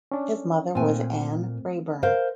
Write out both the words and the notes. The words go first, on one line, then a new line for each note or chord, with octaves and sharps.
His mother was Anne Raeburn.
C#4 D4
A#2 A3 C4 G#5
A#4 C5 F5